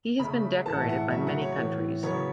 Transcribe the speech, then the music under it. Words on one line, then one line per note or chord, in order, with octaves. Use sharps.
He has been decorated by many countries.
C#3 A3 B5
A2 E3 B3 A5
F#5
E5
F#5
C#3 F#3 A3 E5
F#5
C#5
A2 E3 B3
C#3 F#3 B3 C#5